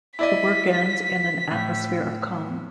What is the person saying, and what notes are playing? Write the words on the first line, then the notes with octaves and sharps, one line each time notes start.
The work ends in an atmosphere of calm.
E4 D5 D#5 B6
A2